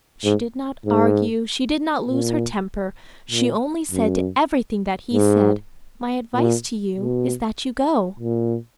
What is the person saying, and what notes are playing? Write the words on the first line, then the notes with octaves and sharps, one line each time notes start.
She did not argue; she did not lose her temper; she only said to everything that he said, "My advice to you is that you go."
G#2
G#2
A#2
A#2
F#2
G#2
A#2
B2
A#2